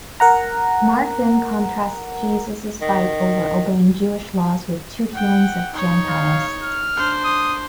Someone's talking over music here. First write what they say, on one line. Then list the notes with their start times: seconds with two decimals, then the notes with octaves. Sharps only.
Mark then contrasts Jesus' fight over obeying Jewish law with two healings of Gentiles.
0.20 A#4 F#5 A#5
2.82 D#3
5.15 F#5 G5
5.72 D#4 C#5
6.09 F5
6.63 F6
6.96 D4 C5
7.25 D#6